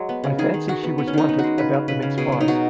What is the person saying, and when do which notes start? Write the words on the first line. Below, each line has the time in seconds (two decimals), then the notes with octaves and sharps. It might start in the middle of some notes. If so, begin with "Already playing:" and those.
I fancy she was wanted about the mince pies.
Already playing: F#3 G#3
0.09 B3
0.24 C#3
0.38 D#3 G#4
0.54 D#3
0.68 D#3 F#4
0.83 B3
0.98 B3
1.07 C#4
1.13 D#3 D#4
1.29 B3
1.39 F#4
1.44 G#3
1.58 C#3 B4
1.74 C#3
1.88 C#3 B4
2.02 C#3
2.18 B2 G#4
2.32 F#3
2.41 D#4
2.48 B2 F#4